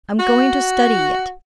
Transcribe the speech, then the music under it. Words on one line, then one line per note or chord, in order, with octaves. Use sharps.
I'm going to study it.
F#4